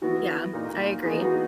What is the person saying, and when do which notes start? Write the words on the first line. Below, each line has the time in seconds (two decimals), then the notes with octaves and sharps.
Yeah, I agree,
0.02 E3 B3 E4 F#4
0.53 A#2 A#3 D#4
1.04 E3 B3 D#4 G#4
1.21 F#4